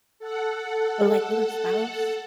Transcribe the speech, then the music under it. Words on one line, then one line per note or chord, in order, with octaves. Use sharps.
but, like, with a spouse,
A4 F#5